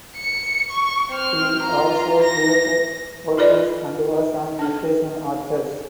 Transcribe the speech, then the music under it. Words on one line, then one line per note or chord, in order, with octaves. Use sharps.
He also created portraits and was an occasional author.
C#7
C#6
C4 F6
F4 A#5
A#6
F4 A4 B4 D5 D#5 B5
D4 A4